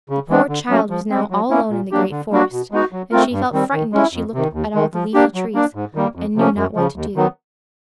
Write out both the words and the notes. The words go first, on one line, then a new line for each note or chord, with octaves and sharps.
The poor child was now all alone in the great forest, and she felt frightened as she looked at all the leafy trees, and knew not what to do.
C#3
E3 G#3 B3 D4
D3
F#3 A3 C#4
F3
G#3 C4
F#3
A#3 C#4 E4
A#2
F#3 A#3 D4 G4
D3
G3 A#3 D4 F#4
B2
G#3 B3 D#4 F#4
F#3
A3 C4 F4 A#4
G2
D#3 G3 C4
D#3
G#3 C#4 E4
F2
C3 D#3
D#2
D#3 G#3
F3
A#3 D4 G4
F#3
A#3 D4
G#2
D#3 G3 A#3
F2
C3 F3 A#3 C#4
F#2
C#3 F3
D#2
D#3 F#3 B3